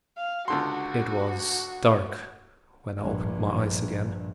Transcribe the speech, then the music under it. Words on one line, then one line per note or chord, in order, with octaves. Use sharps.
It was dark when I opened my eyes again.
F5
C#2 D3 F#4 C6
A#1 G2